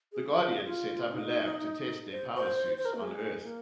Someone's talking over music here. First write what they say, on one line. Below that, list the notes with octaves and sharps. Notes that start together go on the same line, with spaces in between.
The Guardians set up a lab to test their power suits on Earth.
G#4
F4
G#4
F4
C4
D#4
C5
C5
C5
A#4
A#3
G#3
A#3